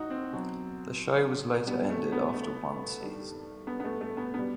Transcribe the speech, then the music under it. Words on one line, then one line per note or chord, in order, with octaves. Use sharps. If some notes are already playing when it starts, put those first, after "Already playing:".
The show was later ended after one season.
Already playing: A2 D#4 F#4
C4
B2 F#3
B2 G3 B3
A3
B3
A3
G2 D#3 G3
B3
B3
A3
A3
B3
B2 G3 B3